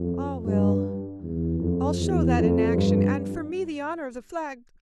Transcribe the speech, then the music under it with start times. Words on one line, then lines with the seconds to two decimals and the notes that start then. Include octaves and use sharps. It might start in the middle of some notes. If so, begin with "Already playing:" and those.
Ah well, I'll show that in action, and for me the honor of the flag...
Already playing: F2
0.45 G2
1.22 E2
1.60 F2
1.99 E2
2.37 F2
2.75 G2